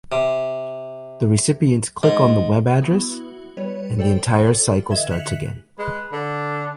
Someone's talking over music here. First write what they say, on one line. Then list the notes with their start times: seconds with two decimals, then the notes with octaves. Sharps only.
The recipients click on the web address, and the entire cycle starts again.
0.12 C3
2.03 G#2
2.82 B3 E4 F#4
3.57 G3 B4 C#5
3.99 A4 C5 D5 G5
4.47 F4 A4 D5
4.89 D3 E3 D#5 E5 G#6 E7
5.11 F#6 B6 C#7 F7 F#7
5.79 G#3 B4
6.12 D3 D4